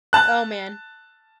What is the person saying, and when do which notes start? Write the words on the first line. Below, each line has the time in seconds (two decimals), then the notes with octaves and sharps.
Oh, man.
0.13 A5 F#6